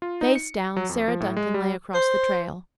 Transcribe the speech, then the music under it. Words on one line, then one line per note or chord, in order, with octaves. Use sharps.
Face down, Sarah Duncan lay across the trail.
F4
D#4
C#7
F#3
F2
F3
A2
G#3
G3
C5